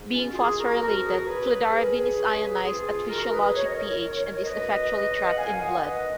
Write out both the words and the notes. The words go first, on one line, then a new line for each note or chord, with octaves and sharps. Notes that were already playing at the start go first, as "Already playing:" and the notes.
Being phosphorylated, fludarabine is ionized at physiologic pH and is effectually trapped in blood.
Already playing: G#2
C#4 F4
F#4
D#3 F4 G#4
F#4 A#4
F2 F#4 A#4
G#4
A#4
C#3 G#4 B4
A#4
F2 G#4 B4
C#3
F2 F4 G#4
F4 G#4
D#3 F#4 A#4
A#4
G#4 B4
F#2 C#5
D#5
A#4 C#5
D#3
F#2 B4 D#5
C#3
F#5
F#2 F5 G#5
F5
D#5 F#5
D#3 B4 D#5
B4